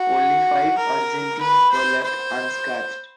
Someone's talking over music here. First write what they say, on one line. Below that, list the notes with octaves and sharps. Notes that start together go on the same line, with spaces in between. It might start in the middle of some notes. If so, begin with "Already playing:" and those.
Only five Argentines were left unscathed.
Already playing: F#4
A#4
B4
C5
C5